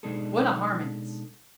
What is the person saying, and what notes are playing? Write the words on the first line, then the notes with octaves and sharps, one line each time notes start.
What a harmonist!
B2 G#3 D4 D#4 G#4 A4